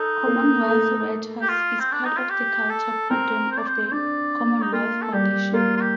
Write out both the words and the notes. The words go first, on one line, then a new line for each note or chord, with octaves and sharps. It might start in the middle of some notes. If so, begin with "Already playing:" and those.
Commonwealth Writers is part of the Culture programme of the Commonwealth Foundation.
Already playing: D#4 A4
A#3
A3
G4
F4
C4
D4
D#4
F4
G4
A4
C4 A#4
C5
D5
C5
C5
D4 D5
D#4
A#3 F4
A4
G3 G4
A#3 F4
F4
G4